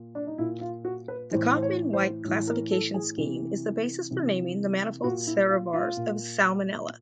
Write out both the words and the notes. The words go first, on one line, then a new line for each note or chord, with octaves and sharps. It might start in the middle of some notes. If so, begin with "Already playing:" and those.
The Kauffman-White classification scheme is the basis for naming the manifold serovars of "Salmonella".
Already playing: A#2
D4
D#4
A#2 E4
F4
F#4
B4
A2 E3 C5
C5
C#5
C5
A2 E3
A#4
A4
G#4
C3 E3
C3 E3
A#2 F#4
E4
F4
F4
A#2